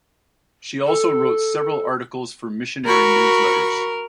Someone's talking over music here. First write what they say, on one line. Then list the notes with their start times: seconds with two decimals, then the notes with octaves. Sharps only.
She also wrote several articles for missionary newsletters.
0.85 A4
2.85 F#4 A#4 B5 C#6